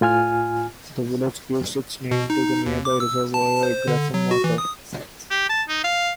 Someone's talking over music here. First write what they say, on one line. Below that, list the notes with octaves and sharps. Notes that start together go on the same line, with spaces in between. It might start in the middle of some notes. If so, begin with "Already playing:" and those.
The village gives its name to the nearby reservoir, Grafham Water.
A2 F4 G#5 F6
B2
D#4
D#2
D6
E6
A5
C5
D3
F#3
F#4
E3
D#6
G4
A5
D#4
F5